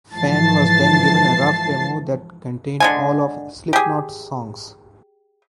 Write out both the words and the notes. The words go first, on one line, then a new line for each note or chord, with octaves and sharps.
Fehn was then given a rough demo that contained all of Slipknot's songs.
G#2 E3 F3 A5 A6 C7
D3 G#3 G#5
G4 G#4